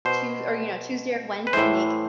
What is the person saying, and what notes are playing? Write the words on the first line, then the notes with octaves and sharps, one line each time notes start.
Tues or, you know, Tuesday or Wednesday make
B2 C5
B4
A2 E3 C5